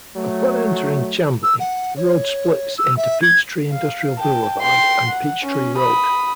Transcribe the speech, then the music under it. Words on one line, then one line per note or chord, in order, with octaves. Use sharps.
Upon entering Chamblee, the road splits into Peachtree Industrial Boulevard and Peachtree Road.
F#3 A3
E6
F#5
C#5
E6
E5
G#6
F5
G5 A5
G5 C6
F#5
C#4
B5 D#6